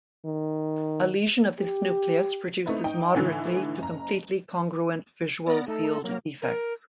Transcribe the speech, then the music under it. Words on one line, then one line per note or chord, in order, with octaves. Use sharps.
A lesion of this nucleus produces moderately to completely congruent visual field defects.
D#3
G4
A3 C4 D#4 E4 B4
D#4 G5
A2 D3 E3 D#4
F#1 A#5
B3 D5 F6 A#6
A3 D#4 A4
F#3 A#3 A#4
A#4